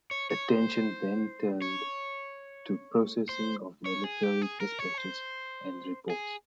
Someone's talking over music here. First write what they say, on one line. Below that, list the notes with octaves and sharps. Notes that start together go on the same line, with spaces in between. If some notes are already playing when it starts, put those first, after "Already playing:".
Attention then turned to processing of military dispatches and reports.
C#5
C#5
C5
C#5
C5
C#5
G#4
G4
G#4
A#4
C#5
C5
G#4